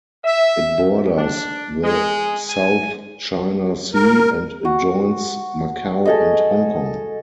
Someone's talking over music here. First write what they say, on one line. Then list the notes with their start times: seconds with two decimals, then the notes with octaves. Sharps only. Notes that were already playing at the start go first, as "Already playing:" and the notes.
It borders the South China Sea and adjoins Macao and Hong Kong.
0.24 E5
1.17 D4
1.83 G#3
2.48 G#5
3.94 A#4
4.65 F#4
6.06 G#4 A4 D#5